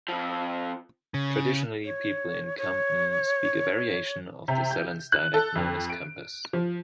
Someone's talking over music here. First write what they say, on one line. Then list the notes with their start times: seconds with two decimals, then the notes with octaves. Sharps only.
Traditionally people in Kampen speak a variation of the Sallands dialect, known as Kampers.
0.08 F2 F3
1.14 C#3
1.85 C#5
2.58 C#5
4.48 C3
4.71 G6
5.12 F#6
5.34 A4
5.56 F2
5.90 D7
6.53 F3